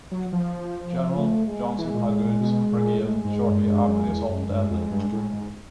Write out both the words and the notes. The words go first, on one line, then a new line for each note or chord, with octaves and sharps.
General Johnson Hagood's brigade shortly after the assault had ended.
F#3
F3
A3
G#3
E3 G#3
A#2
A2
A#2
B2
A#2
A2 G#3
G#2
G2
G2
F#2
E2
F#2 G#3
G2
F2
G2
A2
G#2